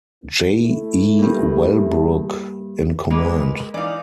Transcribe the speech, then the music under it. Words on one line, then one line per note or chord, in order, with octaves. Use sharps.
J. E. Wellbrook in command.
A3 E4
G2 A#3
G#3 A#3 B4
E3 D#4 D5 F5